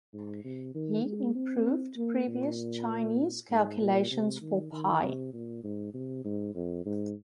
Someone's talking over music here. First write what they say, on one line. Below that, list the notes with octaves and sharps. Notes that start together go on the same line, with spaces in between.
He improved previous Chinese calculations for pi.
G#2
C3
D#3
G#3
C4
A#3
A#2
G#2
A#2
C3
D#3
D#3
C3
A#2
G#2
C3
G#2
F2
G#2